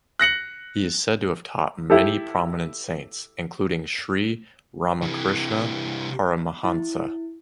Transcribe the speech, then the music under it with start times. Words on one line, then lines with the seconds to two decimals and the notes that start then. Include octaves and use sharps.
He is said to have taught many prominent saints, including Sri Ramakrishna Paramahansa.
0.19 F#6 A#6 C#7 F#7
1.90 E4 G4 A4
5.02 C3 E3
6.64 E4